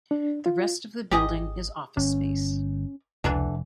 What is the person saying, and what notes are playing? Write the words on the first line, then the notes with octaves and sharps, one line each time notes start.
The rest of the building is office space.
D4
F4
G#1 G4 G#4 D#5
G1 C#4
F1 C#2 D3 E3 D4